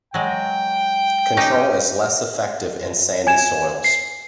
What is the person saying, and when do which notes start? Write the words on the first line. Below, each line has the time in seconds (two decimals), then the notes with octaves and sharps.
Control is less effective in sandy soils.
0.14 F#3 G#3 G5
1.37 C#4 D#4 G4
3.27 G#5 G#6 E7
3.84 C7